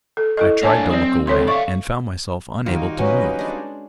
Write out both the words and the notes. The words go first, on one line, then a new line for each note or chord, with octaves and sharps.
I tried to look away, and found myself unable to move.
A4
E4 A4 D#5
A#3 D4 C#5 G#5 A5
F#3 C4 D5
C#2 C3 A4 C#5 C6
D5 E5 F5 C#6
D#3 G3 A#3 D#4 F4 F#4
F#3 C#4 F4 F#4 B4 D#5
G#3 D4